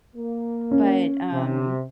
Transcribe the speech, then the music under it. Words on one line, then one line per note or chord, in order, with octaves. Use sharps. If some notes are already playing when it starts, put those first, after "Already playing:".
But, um,
A#3
C#4
C3